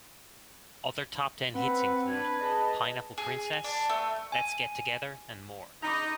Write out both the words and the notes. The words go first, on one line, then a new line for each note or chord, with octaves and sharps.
Other top-ten hits include, "Pineapple Princess", "Let's Get Together" and more.
C4 B4 F#5
D4 B4 G#6
G#4 D#5 A5
G#4
D4
A3
G#5
D#4 A#5 B5 D6